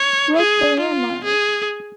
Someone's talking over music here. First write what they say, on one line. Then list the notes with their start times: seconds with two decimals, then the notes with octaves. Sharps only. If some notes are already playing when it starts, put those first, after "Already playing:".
Rop the rameras!
Already playing: C#5
0.37 G#4
0.80 F4
1.25 G#4